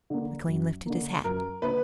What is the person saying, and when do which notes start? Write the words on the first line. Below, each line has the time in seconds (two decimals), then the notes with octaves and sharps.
McLean lifted his hat.
0.10 D3 A#3
0.48 F#2
0.86 D3 A#3
1.24 F#2 A#4
1.62 D3 A#3 B4